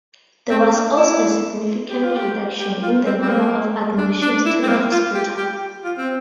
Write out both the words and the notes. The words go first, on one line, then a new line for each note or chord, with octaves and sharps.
There was also a significant reduction in the number of admissions to the hospital.
C4
D4
E4
G4
F4
G4
G4
F4
C4
C4
A#3
D4
D4
E4
C4
A#3
F4
G4
G4
F4
C4